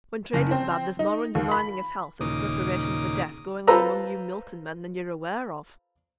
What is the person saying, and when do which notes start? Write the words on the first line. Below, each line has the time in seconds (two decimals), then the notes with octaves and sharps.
When trade is bad, there's more undermining of health, and preparation for death, going on among you Milton men than you're aware of.'
0.33 F#1
0.51 C4
0.99 D#4
1.35 D#2
1.51 B5
2.21 D#2 A#2 C#3 D#4 D6 D#6
3.67 F4 A4 B4 C5 A#5 E6